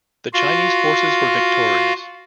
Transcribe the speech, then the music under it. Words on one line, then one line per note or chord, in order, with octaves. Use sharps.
The Chinese forces were victorious.
F4 F#4 F5